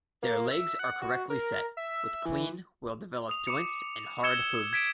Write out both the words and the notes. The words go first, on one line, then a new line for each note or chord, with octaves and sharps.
Their legs are correctly set, with clean, well-developed joints and hard hooves.
A#3
E5
F#5
F#4
A#4
E5
E3
D#6 F7
D6 C#7
E6 G#6 C#7 E7 G7
G#6 B6 D7 E7